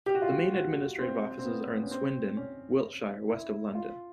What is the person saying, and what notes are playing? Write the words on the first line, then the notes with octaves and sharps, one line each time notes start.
The main administrative offices are in Swindon, Wiltshire, west of London.
G4
F#4
F4
F#4
F#4
C4
C4
B3
C#4
C4
C#4
E4
F4